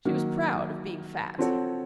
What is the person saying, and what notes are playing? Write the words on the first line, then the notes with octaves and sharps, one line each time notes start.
She was proud of being fat.
D#3 F#3 A#3
F3 C4 F#4 A4 C#5